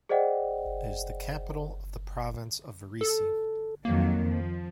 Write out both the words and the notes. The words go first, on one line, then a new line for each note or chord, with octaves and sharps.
It is the capital of the Province of Varese.
G#4 C5 D5 D#5 F#5 G5
A4
F2 D#3 F#3 A#3
F3